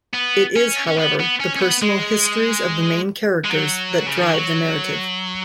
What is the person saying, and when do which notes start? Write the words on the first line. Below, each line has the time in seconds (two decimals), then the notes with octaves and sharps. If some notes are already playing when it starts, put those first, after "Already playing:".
It is, however, the personal histories of the main characters that drive the narrative.
0.13 B3
0.56 C#4
0.87 C#4
0.98 B3
1.20 B3
1.40 C#4
1.56 C#4
1.62 B3
1.82 G#3
3.45 G#3
3.50 F#3
4.06 C#3
4.20 D#3
4.35 F#3